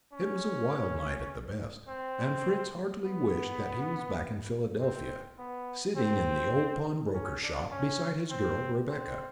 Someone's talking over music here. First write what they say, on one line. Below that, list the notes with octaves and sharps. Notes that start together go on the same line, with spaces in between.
It was a wild night at the best, and Fritz heartily wished that he was back in Philadelphia, sitting in the old pawnbroker-shop, beside his girl, Rebecca.
C#4
C4
B3
C4
B3
C4
C#4
D4
C#4
C4
C4